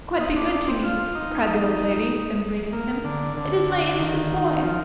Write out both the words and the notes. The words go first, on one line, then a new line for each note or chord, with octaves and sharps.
'God be good to me!' cried the old lady, embracing him; 'it is my innocent boy!'
D#4
D4
D4
C4
F4
D#4
D#4
A#3
D3
D3
D#3
F3